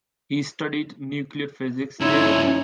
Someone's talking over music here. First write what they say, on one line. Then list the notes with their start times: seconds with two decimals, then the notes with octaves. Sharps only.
He studied nuclear physics there.
2.00 G2 C#3 D#4 E4 C#5 C6 E6 G#6